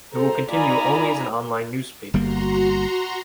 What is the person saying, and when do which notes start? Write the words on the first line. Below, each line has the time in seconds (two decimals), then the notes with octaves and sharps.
It will continue only as an online newspaper.
0.13 A4 C5 A#5
0.50 D#4 F4 D5 G#5 A#5 B5
2.14 G1 G3 A#3 F#4 A#5 C6